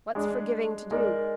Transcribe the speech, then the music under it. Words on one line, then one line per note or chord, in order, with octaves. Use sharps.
What's forgiving to do?
G#3 D4 G#4
G#3 D#4 A#4 D5